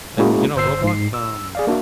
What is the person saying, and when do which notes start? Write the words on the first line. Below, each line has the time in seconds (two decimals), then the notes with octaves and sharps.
And, you know, Roblox, um
0.17 G#3 A#3 C#4 E4 F#4 G#4
0.56 G1 C5 E6 C7
0.83 G#2 C7
1.14 E6
1.55 G#4 D5 F5
1.67 A#3 D4 F#4 E5